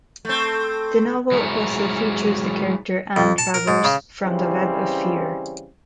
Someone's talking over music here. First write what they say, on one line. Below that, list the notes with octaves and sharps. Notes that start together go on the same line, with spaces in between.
The novel also features the character Anne Travers from "The Web of Fear".
A3 C4
F#3 G#3 E4 A#4 C5 C#5
F2
A5
A#4
G#2
C#3
C#3 E3 G3 C4 C#4